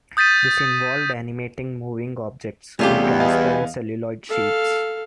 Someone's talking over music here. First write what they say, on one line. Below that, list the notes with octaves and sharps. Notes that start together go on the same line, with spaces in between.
This involved animating moving objects on transparent celluloid sheets.
D#6 G6 A6 B6 D#7
E2 C3 G3 A3 C#4 F4 G4
B3 B4 D#5 F5 G#5
A4 F5